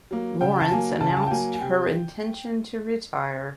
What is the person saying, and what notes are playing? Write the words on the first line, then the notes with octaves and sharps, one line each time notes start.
Lawrence announced her intention to retire.
F#3 A#3
C#3 G5
A5
F#3 A#3 G#5
C#3 A5
G#5
A5
G5
F#3 A#3 G#5
G#5
C3 G5